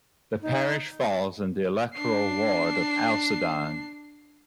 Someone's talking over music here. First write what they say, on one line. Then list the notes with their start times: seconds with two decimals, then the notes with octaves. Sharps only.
The parish falls in the electoral ward of Alcedon.
0.42 D#4
1.94 D4 C7